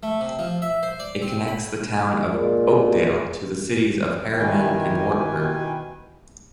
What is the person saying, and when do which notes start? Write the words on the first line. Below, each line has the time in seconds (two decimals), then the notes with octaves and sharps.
It connects the town of Oakdale to the cities of Harriman and Wartburg.
0.03 A3
0.21 C3
0.39 F3
0.62 E5
0.83 C5
1.00 D5
1.22 C4
1.48 B5
2.33 A#2 G#3
4.38 B2 D#3 E3 B4 G5 G#5